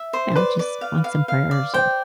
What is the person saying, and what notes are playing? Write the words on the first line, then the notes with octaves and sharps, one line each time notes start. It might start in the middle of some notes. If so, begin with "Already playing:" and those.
you know, just want some prayers or
Already playing: E5
C5
B4 D5
D5
F5
F5
F5
D5
C5 G5